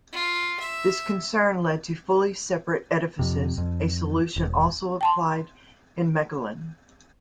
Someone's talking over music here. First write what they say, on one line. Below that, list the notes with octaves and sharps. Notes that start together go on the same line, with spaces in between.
This concern led to fully separate edifices, a solution also applied in Mechelen.
F4
E5
F2 C3
F2
E1
G5 A5 C6